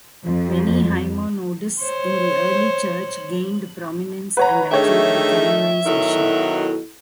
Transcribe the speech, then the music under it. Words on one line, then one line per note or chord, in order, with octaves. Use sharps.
Many hymnodists in the early Church gained prominence and achieved canonisation.
F2
C5 C#5
B4 C#5 F#5 A#5
D#3 A3 D4 G#4 C#5 E5 G5
B2 D#3 F#3 E4 A4